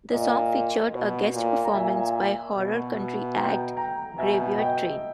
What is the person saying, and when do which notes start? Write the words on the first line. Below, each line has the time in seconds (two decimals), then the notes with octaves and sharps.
The song featured a guest performance by horror-country act, Graveyard Train.
0.11 A#2 D#5
0.93 B2
1.33 A#2
1.64 A#5
1.73 A#2 E5 G#5
2.55 B2
3.36 G5 A#5
3.77 G5 A#5
4.17 B2 E5 G#5
4.58 D#5 G5